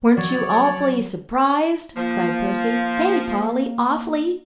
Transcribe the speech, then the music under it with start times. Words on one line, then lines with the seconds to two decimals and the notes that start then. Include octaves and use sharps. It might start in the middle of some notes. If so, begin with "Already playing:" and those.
"Weren't you awfully surprised?" cried Percy; "say, Polly, awfully?"
0.17 F#3 C#5 D5
1.96 F3 A#3